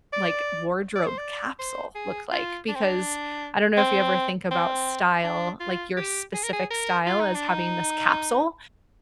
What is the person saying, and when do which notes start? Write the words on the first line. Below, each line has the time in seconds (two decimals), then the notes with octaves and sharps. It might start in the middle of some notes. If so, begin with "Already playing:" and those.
like, wardrobe capsule look like, because I don't know if you ever think about style, like your specific style as having this capsule
0.13 D5
0.95 D5
1.06 C5
1.18 D5
1.59 C5
1.95 G#4
2.32 F4
2.68 D4
2.75 C4
2.82 D4
3.77 C4
4.51 C4
5.24 D4
5.60 F4
5.97 G4
6.34 G#4
6.43 A#4
6.53 G#4
6.70 A#4
7.06 F4
7.20 D#4
7.34 D4
7.48 D#4